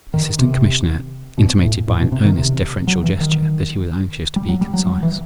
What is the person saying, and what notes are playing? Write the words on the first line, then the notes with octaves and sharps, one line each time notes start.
The Assistant Commissioner intimated by an earnest deferential gesture that he was anxious to be concise.
D#3
C3
B2
A2
A2
B2
C3
D#3
C3
F#3
E3
D#3
G3
F#3
G3
F#3
F#3
E3